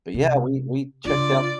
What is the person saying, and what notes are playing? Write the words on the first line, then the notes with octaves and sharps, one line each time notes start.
but, yeah, we we checked out
C3
C#3 D4 F4 D5